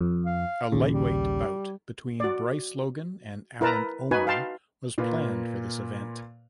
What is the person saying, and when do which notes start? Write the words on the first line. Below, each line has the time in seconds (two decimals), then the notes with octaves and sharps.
A lightweight bout between Bryce Logan and Alan Omer was planned for this event.
0.01 F2
0.26 F5
0.72 A#1 D#2 C#3
0.92 G3
2.20 F#4 D5
3.61 E4 A#4 B4 A5 A#5
4.11 D#4 F#4 B4 G#5
4.27 F5 G5 A5 C6
4.98 A#2 A#3 F4 B4